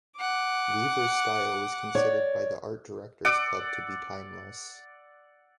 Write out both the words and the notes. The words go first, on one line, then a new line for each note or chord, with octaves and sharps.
Weaver's style was considered by the Art Directors Club to be "timeless".
F#5 D6
C#5 D5
D5 F#5 D6 E6